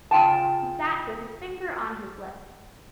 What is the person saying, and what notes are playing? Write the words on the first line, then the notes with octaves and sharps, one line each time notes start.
He sat with his finger on his lip.
C#3 F4 G5 A5